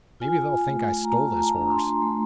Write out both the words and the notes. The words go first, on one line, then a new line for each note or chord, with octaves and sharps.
'Maybe they'll think I stole this horse.
F4 G#5
A3
A#5
F4 A5
A#5
D4
C6
A3